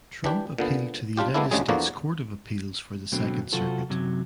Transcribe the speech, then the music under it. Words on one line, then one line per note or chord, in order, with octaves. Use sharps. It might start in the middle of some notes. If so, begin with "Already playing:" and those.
Trump appealed to the United States Court of Appeals for the Second Circuit.
E3 D4 G4
A#2 D3 B3
G3 D4 F4 G4
G3 G#3 A#3 B3 D4 E4
A1 D2 C#3 G3 G#3 G#4
E2 D3 F3 A#3 F#4 D5
D2 B2 D3 F#3 A3 C4
C3 F#3 F4 F#4 A4 C5
F#2 C3 F#3